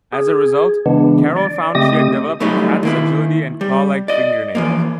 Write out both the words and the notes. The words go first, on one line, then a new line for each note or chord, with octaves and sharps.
As a result, Carol found she had developed a cat's agility and claw-like fingernails.
G#4
C#3 E3 G#3 B3 D4
D5
C#3 A3 C4 G4 D#5 D#6
A2 F#3 G3 A3 D#4
D#3 A#3 E4
G3
D5 D#5
E3 F3 A#3